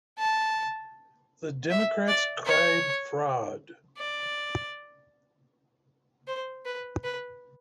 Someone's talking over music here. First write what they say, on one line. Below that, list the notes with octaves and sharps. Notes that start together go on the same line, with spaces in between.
The Democrats cried fraud.
A5
E5
D5
C#5
D5
C5
B4
B4